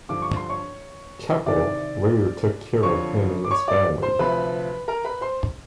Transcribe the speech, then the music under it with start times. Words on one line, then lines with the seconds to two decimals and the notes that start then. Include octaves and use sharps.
Keppel later took care of him and his family.
0.09 G2 D3 F3 D6
0.22 C#6
0.36 C6
0.49 C#5 C#6
1.46 C2 C3 D#3 D5 D6
2.83 F2 D3 F3 C#5 C#6
3.44 D6
3.51 C#5 C#6
3.68 D5 D6
4.02 C5 C6
4.19 D2 C3 F3 B4 B5
4.88 A#4 A#5
5.05 B4 B5
5.21 C5 C6